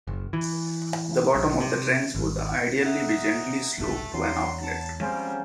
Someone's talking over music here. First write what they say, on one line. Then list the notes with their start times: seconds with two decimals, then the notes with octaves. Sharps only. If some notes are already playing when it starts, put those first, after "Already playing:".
The bottom of the trench would ideally be gently sloped to an outlet.
0.07 F#1
0.33 E3
1.35 B1
1.60 C3
2.15 G#1
2.81 D#4 E5 F#5
3.78 F1 B1 G#2 A3
4.14 E2 F#3 C6
4.63 A5
5.00 C#3 F3 G3 G#3 C4 C#4 C5